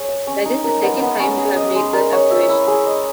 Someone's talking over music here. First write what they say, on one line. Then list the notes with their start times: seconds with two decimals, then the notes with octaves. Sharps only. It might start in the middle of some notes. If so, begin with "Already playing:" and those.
That is the second time you have made that observation.
Already playing: G#4 C#5
0.09 E5
0.27 C#4
0.45 D#4
0.64 A#4
0.83 B3
1.01 B3
1.20 C#4
1.38 G#4
1.56 D#5
1.76 G#3
1.93 A#4
2.12 C#5
2.31 E5
2.49 E4
2.68 G#4
2.86 D#5